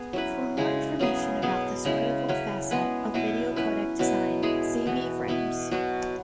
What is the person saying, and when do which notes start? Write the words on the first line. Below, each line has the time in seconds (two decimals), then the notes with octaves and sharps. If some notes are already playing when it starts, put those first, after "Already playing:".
For more information about this critical facet of video codec design, see B-frames.
Already playing: B3 G#4
0.13 F#3 C#4 E4 B4
0.57 C#3 G#3 E4 G#4
0.99 C#3 F#3 B3 G#4
1.42 B2 F#3 B3 G#4
1.85 C#3 G#3 E4
2.29 F#3 C#4 E4 B4
2.71 G#3 B3 G#4 B4
3.14 B2 F#3 B3 E4
3.56 F#3 C#4 E4 B4
3.99 B2 F#3 E4 B4
4.43 G#3 E4 G#4
4.86 E3 B3 F#4
5.28 B2 B3 E4
5.71 B2 F#3 B3 F#4